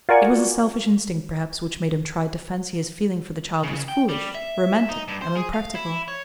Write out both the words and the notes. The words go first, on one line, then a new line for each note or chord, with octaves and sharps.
It was a selfish instinct, perhaps, which made him try to fancy his feeling for the child was foolish, romantic, and unpractical.
F4 F#4 A#4 D5 G#5 C#6
C#3
G5
G3
E5
D#4
G2
C5
G#4
F5
E4
C#5